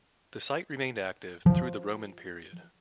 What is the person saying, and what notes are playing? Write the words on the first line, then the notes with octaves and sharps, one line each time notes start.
The site remained active through the Roman period.
F3